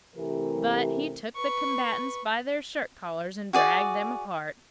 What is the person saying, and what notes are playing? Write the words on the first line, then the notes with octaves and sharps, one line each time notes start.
But he took the combatants by their shirt collars and dragged them apart.
C3 E3 A3 G4 A#4
B4 C#6
F#4 G#4 D5